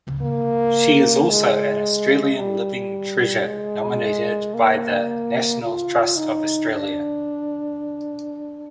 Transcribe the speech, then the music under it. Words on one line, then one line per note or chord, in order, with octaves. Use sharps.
She is also an Australian Living Treasure nominated by the National Trust of Australia.
A#3
G#3
G3
G#3
A#3
F4
D#4
D4